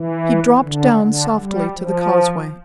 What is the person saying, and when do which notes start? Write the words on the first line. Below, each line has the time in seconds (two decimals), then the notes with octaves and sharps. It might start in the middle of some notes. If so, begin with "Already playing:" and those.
He dropped down softly to the causeway.
Already playing: E3
0.62 D3
0.99 D3
1.38 G3
1.75 F3